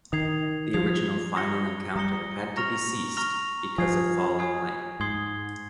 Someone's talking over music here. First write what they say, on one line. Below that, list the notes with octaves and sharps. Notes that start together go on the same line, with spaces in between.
The original final encounter had to be ceased because of falling light.
D#3 D#6 G#6 C7 F7
F3 D#6 G#6 C7 F7
A#5 D#6 A#6 C#7 G7
G3 A#5 D#6 A#6 C#7 G7
A#5 C#6 F6 A#6 F7
A#5 C#6 F6 A#6 F7
F3 G#5 D#6 G#6 C7
G#5 D#6 G#6 C7
G#2 C6 D#6 G#6 C7 G7